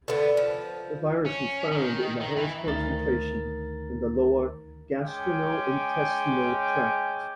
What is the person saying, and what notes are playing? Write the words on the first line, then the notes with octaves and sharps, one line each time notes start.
The virus was found in the highest concentrations in the lower gastrointestinal tract.
D3 B3
F3
C#4
D#3
D#3
E3
D2 D#3 A#4 A6
G#3 C#4 G5 D6